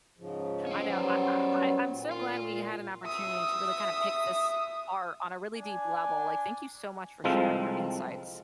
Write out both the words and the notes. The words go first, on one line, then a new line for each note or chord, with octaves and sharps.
I know, I I I I'm so glad we had an opportunity to really kinda pick this apart on a really deep level, like, thank you so much for sharing your insights.
G#2 C#3 F3
C#4 C5
F#3 G3 B3
A#2
F4
E5 D#6
D4 G#5
C2 F3 G#3 C4 A4 F5